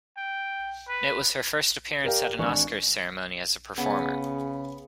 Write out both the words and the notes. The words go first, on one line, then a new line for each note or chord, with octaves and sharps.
It was her first appearance at an Oscars ceremony as a performer.
G5
B4
G4 A#4 D5 F5 G5
G#1 D4 G#5 C#6
C#3 B3